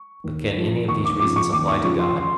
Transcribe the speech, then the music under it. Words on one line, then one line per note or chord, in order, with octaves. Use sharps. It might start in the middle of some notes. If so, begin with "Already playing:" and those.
But can any of these reasons apply to God?
Already playing: C#6
D#2
C#3 F3
D#2 C#6
D6
C#3 F3 D6
C#6
D#2 D6
C#6
C#3 F3 C#6
C6
C6